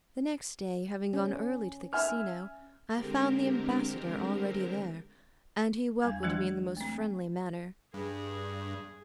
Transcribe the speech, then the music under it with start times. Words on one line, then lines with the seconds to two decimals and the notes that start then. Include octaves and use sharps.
The next day, having gone early to the casino, I found the ambassador already there, and he welcomed me in the most friendly manner.
1.13 C#4
1.93 E5 G#5 F6
2.94 D3 G#3 C4 G4 A#4
6.02 E2 G3 G#5 G#6
6.23 E3 F#3 G#3 D4
6.77 A3 C4
7.94 G2 G#4